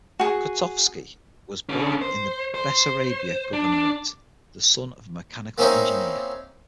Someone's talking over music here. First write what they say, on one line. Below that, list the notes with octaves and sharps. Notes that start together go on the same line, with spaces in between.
Kotovsky was born in the Bessarabia Governorate, the son of a mechanical engineer.
F#4 G#4
D3 C#4
C5
C5
D4
A#3 C4 C#4 D#4 E4 C#5